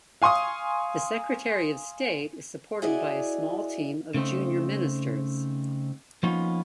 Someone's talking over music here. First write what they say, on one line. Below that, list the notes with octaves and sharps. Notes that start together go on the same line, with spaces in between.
The Secretary of State is supported by a small team of junior Ministers.
F5 G#5 C6 C#6 D#6
E4 F#4 G#4 D5 D#5
C#3 A3 C4 D#4
F3 A#3 B3 C#4 D#4 F4